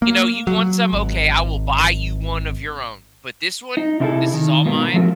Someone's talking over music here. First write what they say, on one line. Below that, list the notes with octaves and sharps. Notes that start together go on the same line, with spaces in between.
You know, "You want some? Okay, I will buy you one of your own, but this one, this is all mine,
A#3
F#3
G#1
D#4
C3 D#4 E4 G#4 A4
D#3
G#2 B2 A#3
F3 A3 C4 F#4 A#4